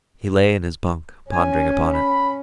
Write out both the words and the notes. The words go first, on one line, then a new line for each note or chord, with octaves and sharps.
He lay in his bunk pondering upon it.
C#4 G#5
B5